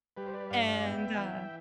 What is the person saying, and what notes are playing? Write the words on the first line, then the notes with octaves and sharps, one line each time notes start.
And, uh,
G3 G4 B4
C5
B4 D5
G2 D5 F5
D5 F5
B3 E5 G5
E3